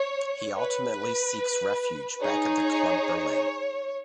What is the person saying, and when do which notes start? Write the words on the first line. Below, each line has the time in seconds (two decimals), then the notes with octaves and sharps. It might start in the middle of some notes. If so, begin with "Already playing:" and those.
He ultimately seeks refuge back at the Club Berlin.
Already playing: C#5
0.57 B4
2.22 D#4 G#4 C#5
2.63 C#5